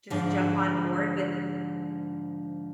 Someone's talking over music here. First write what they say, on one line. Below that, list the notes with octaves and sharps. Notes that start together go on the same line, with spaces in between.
just jump on board with
G#2 D3 F3